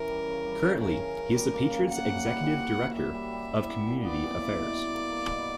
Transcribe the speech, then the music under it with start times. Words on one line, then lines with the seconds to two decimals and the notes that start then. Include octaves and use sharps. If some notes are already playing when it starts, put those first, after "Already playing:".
Currently, he is the Patriots' executive director of community affairs.
Already playing: E3 C#4 A#4
0.10 G3
0.28 C#3
0.46 G3
0.63 C#3
0.81 C#4 A#4
1.00 C#4
1.17 C#3
1.35 G3
1.54 A#3
1.71 C#3
1.89 A#3 F#5
2.06 E3
2.25 G3
2.43 G3
2.60 F#4
2.79 F#4
2.97 G3 E5
3.14 G3
3.33 G3
3.51 E4
3.69 B3
3.86 A#2
4.05 B3 D5
4.23 A#2
4.40 E4
4.59 B2
4.77 B2
4.94 A#3
5.12 A#3
5.30 B2